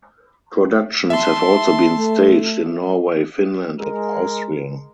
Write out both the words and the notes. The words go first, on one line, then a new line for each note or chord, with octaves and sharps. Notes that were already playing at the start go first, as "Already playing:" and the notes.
Productions have also been staged in Norway Finland and Austria.
E5 A5 C6
A3
G#3 A#4